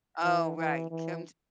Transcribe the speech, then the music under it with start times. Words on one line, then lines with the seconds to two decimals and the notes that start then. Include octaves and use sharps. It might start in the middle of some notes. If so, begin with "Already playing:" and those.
Oh, right. Come t
0.23 E3
0.57 E3
0.91 E3